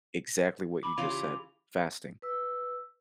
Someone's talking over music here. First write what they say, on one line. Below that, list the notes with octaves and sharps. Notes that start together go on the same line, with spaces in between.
Exactly what you just said: fasting.
B5 D6
C#3 E3 F4 F5 F7
G4
B4 E6